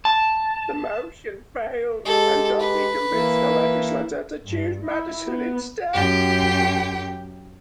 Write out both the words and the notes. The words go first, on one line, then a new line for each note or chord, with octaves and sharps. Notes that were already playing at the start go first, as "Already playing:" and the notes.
The motion failed, and Doty convinced the legislature to choose Madison instead.
A5
G#3 G4 A4
B4
E3 A#3 E4
G2
E4
B3
F#2 G4 G5